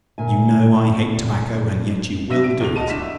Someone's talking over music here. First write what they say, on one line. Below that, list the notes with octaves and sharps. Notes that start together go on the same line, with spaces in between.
You know I hate tobacco, and yet you will do it.
A#2 D3 E5 G#5
D4 E5 A#6 D#7
D7
E2 F7
F#4 D#5 A5 D#7
G1 D3 D4 B6 E7
E5